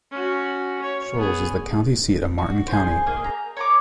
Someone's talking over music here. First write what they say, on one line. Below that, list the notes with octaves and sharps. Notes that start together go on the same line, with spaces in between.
Shoals is the county seat of Martin County.
C#4 F#4
C#5
B3 G#4
F#4
G#4 C5
A#3 G#4 D#5 F5
A#5
C#5 A#5 D6